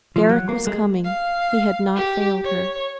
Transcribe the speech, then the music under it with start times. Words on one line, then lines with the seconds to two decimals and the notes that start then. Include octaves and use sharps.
Deryck was coming. He had not failed her.
0.16 F3
0.29 F#3
0.49 A#3
0.67 G#3
1.04 F5
1.96 G4
2.44 C#5